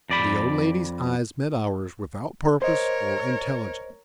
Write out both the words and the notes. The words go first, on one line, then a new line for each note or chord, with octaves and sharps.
The old lady's eyes met ours without purpose or intelligence.
F2 D5 B5
A#4 C5 C#5 D#5